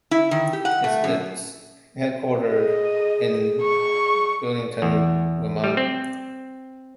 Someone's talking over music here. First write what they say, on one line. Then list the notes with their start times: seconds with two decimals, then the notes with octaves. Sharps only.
It is headquartered in Burlington, Vermont.
0.11 E4
0.31 D#3
0.53 G4
0.65 F#5
0.84 A3
1.04 F#2
2.49 G#4 D#5
3.62 C#6
4.82 E2
5.64 G3
5.77 C4